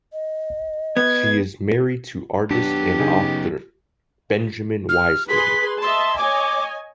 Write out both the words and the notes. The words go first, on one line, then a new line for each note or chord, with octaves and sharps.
She is married to artist and author Benjamin Weissman.
D#5
B3 G#6
F#2 B3 D4 G4
C#3 D#4 G#4
F6
G#4 B4 C6 B6
D#5 E5 A5 C6
C#5 D#5 G#5 D6